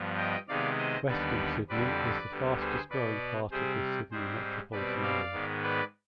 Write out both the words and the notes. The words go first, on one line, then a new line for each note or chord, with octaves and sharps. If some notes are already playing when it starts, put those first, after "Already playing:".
Western Sydney is the fastest growing part of the Sydney metropolitan area.
Already playing: G2 F3 B3
D#5 G5
C3 D#3 G#3 B3 D5 F5
C5 D#5
D#2 D3 G3 B3 B4 D5
F2 D3 G3 C4 B4 D5
D2 D3 G3 B3
G#4 C5
B2 B3 B4 D5
C3 G3 C4 G#4 C5
G#2 G3 C4 G#4 C5
B2 G3 C4 B4 D5
D5 F5
G#2 D#3 B3
B4 D5